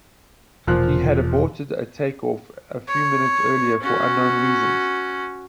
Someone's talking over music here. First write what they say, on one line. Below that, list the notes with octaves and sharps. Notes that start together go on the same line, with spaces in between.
He had aborted a take off a few minutes earlier for unknown reasons.
E1 A#2 F3 F#6
C#5
C#4 F#4